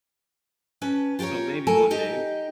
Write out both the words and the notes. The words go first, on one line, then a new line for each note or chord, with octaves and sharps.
So, maybe one day.
C#4 B4 A5
F4 G4 A4 A#4 C#5
D#2 F#3 A3 A4 A#4 G#5
D#4 G4 D#5